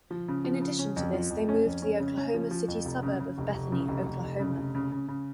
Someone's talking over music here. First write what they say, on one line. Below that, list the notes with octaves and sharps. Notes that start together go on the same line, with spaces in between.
In addition to this they moved to the Oklahoma City suburb of Bethany, Oklahoma.
F3
C#3
F3
C#3
C#4
F2
F3
F2
C#4
F2
C#4
C#3
C#4
F3
F3
F2
F1
C#3
C#3
F1
F1
C#3
F1
F1
F1
C#3
F1
C#3
C#3
C#3